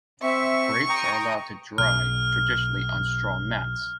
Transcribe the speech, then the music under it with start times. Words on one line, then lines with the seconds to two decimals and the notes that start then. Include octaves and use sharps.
Grapes are allowed to dry, traditionally on straw mats.
0.23 C4 E5 C#6
0.90 G5 A#5 D#6
1.78 B1 F6